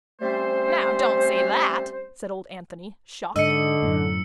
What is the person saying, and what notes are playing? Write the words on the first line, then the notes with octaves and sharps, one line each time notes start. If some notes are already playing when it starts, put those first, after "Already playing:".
"Now, don't say that," said old Anthony, shocked.
G3 A3 C4 C#4 C5
G#2 D3 D#5 E6 C#7
F#2 A2